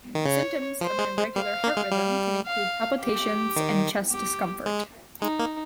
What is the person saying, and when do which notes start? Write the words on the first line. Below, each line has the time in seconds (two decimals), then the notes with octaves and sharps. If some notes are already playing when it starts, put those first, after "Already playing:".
Symptoms of an irregular heart rhythm can include palpitations and chest discomfort.
0.15 D#3
0.25 C#3 C#5
0.81 F3 C5
0.99 G#3
1.18 G#3
1.36 G3 F5
1.64 A#3
1.77 G#3
1.91 G3
2.46 F5
3.01 G4
3.56 D#3
4.11 G4
4.66 G#3
5.21 G#3 D#4
5.39 A#3